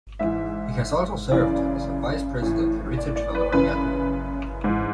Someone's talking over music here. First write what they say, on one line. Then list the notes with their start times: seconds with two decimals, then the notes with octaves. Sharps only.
He has also served as a Vice President and Research Fellow at Yahoo!
0.19 G#2 E3 E5
1.31 F#2 C#3 E3 D5
2.42 A2 E3
2.97 D5
3.16 D5
3.35 B4
3.52 F#2 C#3 E3 B4
4.64 G#2 E3